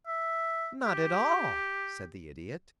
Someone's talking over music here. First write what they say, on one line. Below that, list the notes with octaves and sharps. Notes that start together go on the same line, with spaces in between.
"Not at all," said the Idiot.
E5
G4